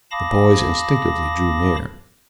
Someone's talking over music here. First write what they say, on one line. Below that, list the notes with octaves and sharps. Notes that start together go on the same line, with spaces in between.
The boys instinctively drew near.
F5 A5 B5 D6 D#6 A#6